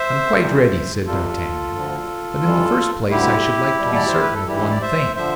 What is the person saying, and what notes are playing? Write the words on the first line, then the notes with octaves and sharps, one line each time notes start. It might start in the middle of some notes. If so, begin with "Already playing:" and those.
"I am quite ready," said d'Artagnan; "but in the first place I should like to be certain of one thing."
Already playing: C5 E5
E2 C3 E3 G3
F2 C3 G3 F4 A4
D2 D3 F3
F2 E3 G3
D2 D3 G3 E4 G4
E2 B2 G3
D5
C5
B4
A4
G2 E3 G3 E4 G4
D5
C5 E5
D3 F3 C5 E5